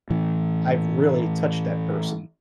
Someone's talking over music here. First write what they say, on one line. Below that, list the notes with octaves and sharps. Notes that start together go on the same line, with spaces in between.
I've really touched that person.
A2 E3